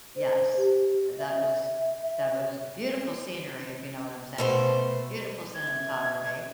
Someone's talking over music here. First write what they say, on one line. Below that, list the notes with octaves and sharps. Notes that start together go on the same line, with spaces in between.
Yes, that was that was beautiful scenery, if you know what I'm saying, beautiful cinematography.
C5
G4
E5
E5
B2 A3 C5
G#6
E5